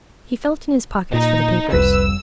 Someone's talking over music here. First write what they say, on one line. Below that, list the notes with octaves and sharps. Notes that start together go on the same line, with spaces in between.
He felt in his pocket for the papers.
A#2 D#4
F1 C2 F2 G3 B4 E6